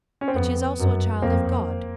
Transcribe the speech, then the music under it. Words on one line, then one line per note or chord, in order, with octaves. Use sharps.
But she is also a child of God.
C#4
C4
F2 B3
F#2
F2 A#3 C4